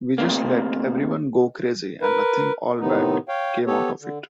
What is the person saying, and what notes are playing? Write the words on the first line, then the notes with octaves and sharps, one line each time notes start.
We just let everyone go 'crazy' and nothing all bad came out of it.
D2 C3 A#3
A#4 B4
A2 C3 D#3 B3 D#4
C#5 F5 G5
B3 G4 A4 C#5
D3